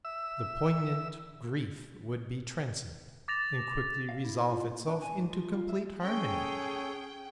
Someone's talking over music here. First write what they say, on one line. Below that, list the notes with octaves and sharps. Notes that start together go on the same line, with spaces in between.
The poignant grief would be transient and quickly resolve itself into complete harmony.
E5 E6
D6 A6 A#6 F7
F5
E4
F4
A#3
D4
G#5
G#2
F3
F4
E5
C#4 G#4 A4 C#5 G5